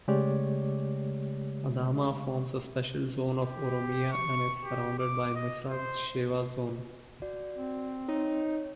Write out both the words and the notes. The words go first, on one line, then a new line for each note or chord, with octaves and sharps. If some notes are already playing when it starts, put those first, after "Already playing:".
Adama forms a Special Zone of Oromia and is surrounded by Misraq Shewa Zone.
C#3 G#3 A3 G4 C#5 D5
G4
C#6
G4
D6
D#5
C5
F#4 D5
C4
D#4 C#5